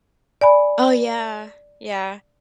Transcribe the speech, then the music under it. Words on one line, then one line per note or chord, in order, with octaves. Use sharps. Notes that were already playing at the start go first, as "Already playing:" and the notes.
Oh, yeah. Yeah.
D5 G#5 B5